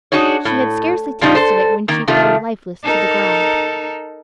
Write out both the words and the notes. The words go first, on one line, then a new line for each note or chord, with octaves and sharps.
She had scarcely tasted it, when she fell lifeless to the ground.
D4 D#4 F#4 G#4 C#5
A2
A#2 F3 G3 D#4 F4
A4 C5
D#3 A#3
C3 D#3 G3 A3 F4
D#4 A4 A#4